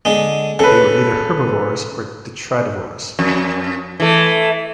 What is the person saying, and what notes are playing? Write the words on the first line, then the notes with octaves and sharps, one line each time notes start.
They were either herbivores or detritivores.
D3 G#3
C#3 A4 B4
F2
E3 A3